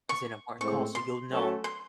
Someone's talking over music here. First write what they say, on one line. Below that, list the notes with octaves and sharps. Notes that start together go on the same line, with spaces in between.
It's an important call so you'll know
C#6
A2 G#3 C4 C#6
C6
F#3 A3 C#4 F#4 A4
C6